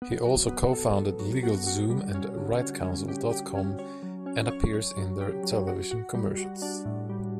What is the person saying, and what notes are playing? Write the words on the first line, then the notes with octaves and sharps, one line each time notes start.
He also cofounded LegalZoom and RightCounsel dot com and appears in their television commercials.
B3
F#3
B3
A4
A4
F#3
F#4
F#4
G3
C#4
D3
C#4
C#4
G4
G4
C#4
C#5
F#3
C#4
C#5
C#5
F#3
G4
F#3
F#4
F#4
G3
F#4
D4
A2
G3